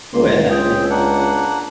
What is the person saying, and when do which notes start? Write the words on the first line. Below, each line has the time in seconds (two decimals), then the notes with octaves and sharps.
Oh yeah, I mean
0.14 C#2 C6
0.50 C4 G#4 G5
0.90 A#3 D4 F#5